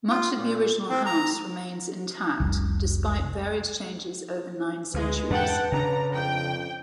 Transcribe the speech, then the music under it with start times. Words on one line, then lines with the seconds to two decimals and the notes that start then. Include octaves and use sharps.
Much of the original house remains intact despite various changes over nine centuries.
0.10 F4
0.38 A#2
0.89 C4
1.06 A#5
2.40 F1 C2
4.94 D2 G#3 B4
5.30 E2 G#2 D4 F#5 G5 A5
5.72 C#3 C#4 D4 A#5
6.13 F2 G5